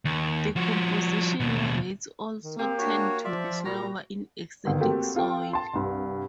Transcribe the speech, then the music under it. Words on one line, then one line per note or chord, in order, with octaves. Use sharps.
Decomposition rates also tend to be slower in acidic soils.
D#2
F3 F#4
D#2 B2
D#3
A#3 C4 G4
D4 F#4 C#5
F3 F4 D5 E5
A#2 G3 F#4 A#5
G1 D#3
A3 A#3 C4 F#4 G4
C4 F4 A4 G5
A5 C6
C2 G2